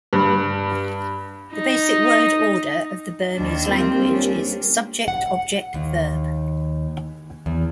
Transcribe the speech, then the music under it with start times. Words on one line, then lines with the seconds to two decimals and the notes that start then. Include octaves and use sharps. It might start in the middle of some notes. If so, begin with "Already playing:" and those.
The basic word order of the Burmese language is subject-object-verb.
0.13 G2
1.53 D#4
3.35 D#2 D4
3.68 G3 A#3 C4 F4
4.12 C#4 D4
5.08 F#5
5.74 D#2
7.46 E2